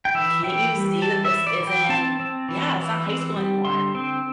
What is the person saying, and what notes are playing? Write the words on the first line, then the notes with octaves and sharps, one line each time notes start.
you can't you see that this isn't yeah, it's not high school anymore.
G5
E3 E5
E3 G5
G3
E3 A5
E5
E3
D5
E3
G5
C4 A5
C4
E3
E3
C4
G3
D3 C6
C4